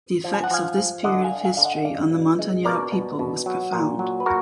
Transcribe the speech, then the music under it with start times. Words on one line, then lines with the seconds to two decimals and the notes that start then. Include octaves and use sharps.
The effects of this period of history on the Montagnard people was profound.
0.24 F3
0.34 G#5
0.44 F#5
0.51 F3 F5 G#5
0.78 F3
1.04 D3 D#5 F#5
1.24 F5 G#5
1.32 D3
1.44 F5 G#5
1.57 D3 F5
1.65 D#5 F#5
1.76 F#5
1.84 G#3 D5 F5
2.11 B2
2.39 G#3
2.65 B2 A#4 D5
2.92 B2
3.19 B2
3.46 F#3
3.72 A#2
3.99 F#3
4.20 B4
4.26 A#2 F#4 A#4